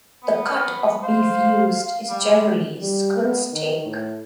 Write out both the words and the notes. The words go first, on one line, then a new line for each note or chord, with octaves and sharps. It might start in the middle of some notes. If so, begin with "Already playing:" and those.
The cut of beef used is generally skirt steak.
B3
C5 F5
G3
G3
B3
D#3
A2